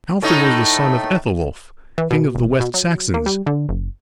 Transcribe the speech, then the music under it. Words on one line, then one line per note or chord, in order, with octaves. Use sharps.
Alfred was the son of Ethelwulf, king of the West Saxons.
A2 A3 D#4
E3
B2
E1
B2
F#3
A#3
G3
D3
F#1